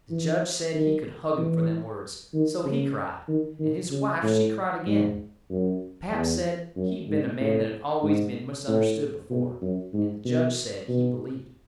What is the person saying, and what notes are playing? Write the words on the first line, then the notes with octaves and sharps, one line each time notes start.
The judge said he could hug him for them words; so he cried, and his wife she cried again; pap said he'd been a man that had always been misunderstood before, and the judge said he believed it.
E3
D#3
E3
D#3
C#3
D#3
D#3
C#3
A2
G#2
F#2
E2
F#2
G#2
A2
G#2
A2
B2
F#2
G#2
B2
B2